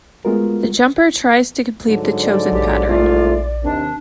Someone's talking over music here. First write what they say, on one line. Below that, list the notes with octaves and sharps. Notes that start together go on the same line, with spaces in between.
The jumper tries to complete the chosen pattern.
G#3 A3 B3 F4 F#4 A#4
G#2 D3 F#3
D5
A#1 G4
C2 G#2 A3 F4
D#2 C3 D#3 D4